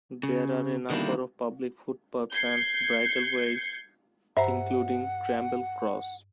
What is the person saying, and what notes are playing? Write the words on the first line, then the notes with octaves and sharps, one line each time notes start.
There are a number of public footpaths and bridleways, including Cramble Cross.
C#3
D3 D#3 G3 A3 A#3 E4
G6 G#6 C7 C#7
G2 C5 E5 F#5 A#5